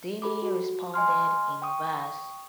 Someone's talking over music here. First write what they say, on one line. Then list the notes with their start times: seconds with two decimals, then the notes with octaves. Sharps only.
Denny responded in verse.
0.22 G4 A4 B5 D6
0.42 F#4
0.94 D#5 G#5 C6 F6
1.62 G5 C#6 D#6